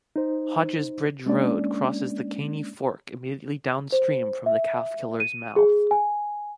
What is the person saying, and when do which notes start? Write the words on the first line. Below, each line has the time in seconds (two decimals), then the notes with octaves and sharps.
Hodges Bridge Road crosses the Caney Fork immediately downstream from the Calfkiller's mouth.
0.16 D#4 C5
1.26 G#3 A#3 C#4 D4 D5
3.92 C5
4.46 E5
5.20 D#7
5.56 G#4
5.91 G#5